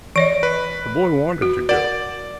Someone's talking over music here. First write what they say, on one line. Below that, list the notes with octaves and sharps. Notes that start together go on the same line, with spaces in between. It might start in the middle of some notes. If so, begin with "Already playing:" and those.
The boy wanted to go.
E3 C#5 D#5 D7
B4
F#4
A#4 D5 F#5